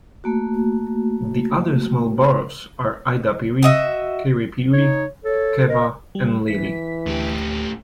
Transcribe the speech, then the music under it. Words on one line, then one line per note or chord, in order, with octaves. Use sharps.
The other small boroughs are Eidapere, Kaerepere, Keava and Lelle.
A3 A#3 F#4
F#4 D#5 E5
D#4 C#5
A4 C#5
A#4 D#5
G3
E3 B6
D2 A2 G4